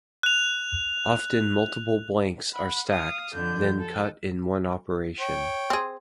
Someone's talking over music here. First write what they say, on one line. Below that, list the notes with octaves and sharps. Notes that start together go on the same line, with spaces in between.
Often multiple blanks are stacked, then cut in one operation.
F#6 F7
F#5 B5
F5 D#6
F2 D3 G6
A4
C#5 G5
C4 G#4